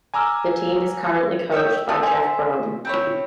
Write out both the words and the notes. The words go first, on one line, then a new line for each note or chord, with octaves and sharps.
The team is currently coached by Jeff Brohm.
G#5 A#5 D6 E6 F6
C#5 E5 F#5 G5
A3 E4 D#6
C5 E5 G#5
C4 E4 C#5